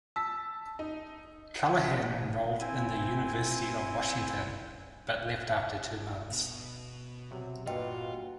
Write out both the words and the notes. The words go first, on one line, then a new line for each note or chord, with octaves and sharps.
Callahan enrolled in the University of Washington, but left after two months.
A5 E6 B6
D#4
C4 E4 G#5
B2
C3 F#3
G2 A#2 F4 F#4 B4 D#5 G5